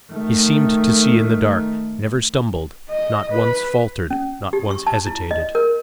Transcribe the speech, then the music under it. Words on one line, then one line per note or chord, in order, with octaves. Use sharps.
He seemed to see in the dark; never stumbled, not once faltered, not once hesitated.
D#3 A3
D#5
B4
C#4
G4
C#6
A5
E4
D#5
A#4